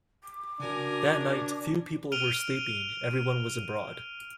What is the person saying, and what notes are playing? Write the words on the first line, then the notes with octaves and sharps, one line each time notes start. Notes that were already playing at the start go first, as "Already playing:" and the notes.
That night few people were sleeping, everyone was abroad.
D6
C#3 D4 F#4 A#4 G#5
F6 D7 D#7 F7 G7